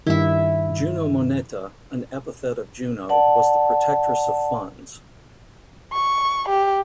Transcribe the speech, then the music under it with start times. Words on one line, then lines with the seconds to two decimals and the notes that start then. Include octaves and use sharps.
Juno Moneta, an epithet of Juno, was the protectress of funds.
0.07 G2 D#3 E4 E5
3.09 D5 F#5 A5
5.93 C#6
6.49 G4